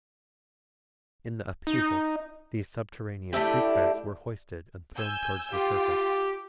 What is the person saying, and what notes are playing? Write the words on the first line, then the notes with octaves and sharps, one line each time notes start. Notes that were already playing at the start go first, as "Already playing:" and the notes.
In the upheaval these subterranean creek beds were hoisted and thrown towards the surface.
D#4
A3 D4 E4 G4
G#5 E6 G6
F4 G4 G5